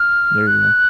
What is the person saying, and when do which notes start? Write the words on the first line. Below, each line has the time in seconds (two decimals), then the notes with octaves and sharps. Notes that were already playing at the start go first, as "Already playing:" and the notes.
There you go.
Already playing: F6
0.47 F#6